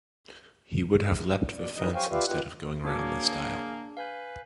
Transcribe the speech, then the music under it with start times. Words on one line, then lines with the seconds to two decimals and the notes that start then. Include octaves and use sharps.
He would have leaped the fence instead of going round the stile.
1.57 D#2 B2 D5
1.75 G2 E3 G3 D#4 D#5
1.95 G4 C5 C#5 F5 G5 G#5
2.11 F4 G4 B4 D5 E5 F5
2.26 B3 D#4 F4 G4 F#5
2.84 A#3 D4 F#4 G#4 C#5 D6
3.24 D4
3.97 B4 F5 G#5 G6